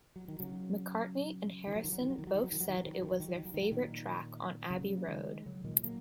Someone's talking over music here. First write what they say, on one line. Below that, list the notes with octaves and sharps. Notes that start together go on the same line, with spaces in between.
McCartney and Harrison both said it was their favourite track on Abbey Road.
F#3
D#3
C#3 F#3
D#3
F#3
D#3
F#3
D#3
F#3
D#3
F#3
D#3
F#3
D#3
F#3
D#3
F#3
D#3
F#3
D#3
F#3
D#3
F#3
D#3
F#3
D#3
F#3
A#2 D#3
C#3 F#3
A#3
D#3 G#3
C#3 F#3
A#2 D#3
F#3 A#3